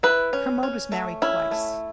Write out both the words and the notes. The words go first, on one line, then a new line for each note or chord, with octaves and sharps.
Kermode was married twice.
E4 B4
C#4
C#4
A3
C#4 E4
A3